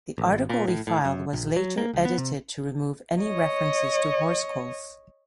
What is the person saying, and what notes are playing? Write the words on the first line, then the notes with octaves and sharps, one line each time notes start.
The article he filed was later edited to remove any reference to horse culls.
A1
G#1
A#2
A2
A2
F#2
A#1
F#3
A#3
C#2
B3
C3
C#5 D#5